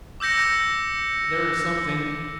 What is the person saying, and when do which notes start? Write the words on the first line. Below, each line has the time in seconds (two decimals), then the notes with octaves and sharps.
There is something....
0.20 D6 E6 G6 A#6 C#7